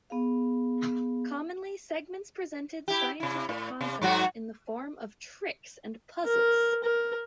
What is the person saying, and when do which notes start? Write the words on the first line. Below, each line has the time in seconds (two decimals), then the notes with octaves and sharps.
Commonly, segments presented scientific concepts in the form of tricks and puzzles.
0.10 B3 G#4 F5
2.88 E4 G4
3.20 C3 E4
3.49 A2
3.81 C3
4.02 G#2 F#3 F#4
6.26 A#4
6.84 A#4